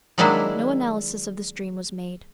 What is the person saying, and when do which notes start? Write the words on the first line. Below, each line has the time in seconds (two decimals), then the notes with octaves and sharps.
No analysis of this dream was made.
0.18 D#3 F#3 G#3 A#3 D4 E4